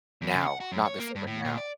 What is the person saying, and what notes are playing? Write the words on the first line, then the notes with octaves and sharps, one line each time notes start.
Now. Not before, but now.
E2
C#3
F#5
F#4
F#2
C#5
A#3
G2
A2
A#2
D5